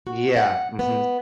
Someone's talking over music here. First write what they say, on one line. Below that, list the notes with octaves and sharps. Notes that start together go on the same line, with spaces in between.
Yeah. Mhm.
F#4
F#5
B3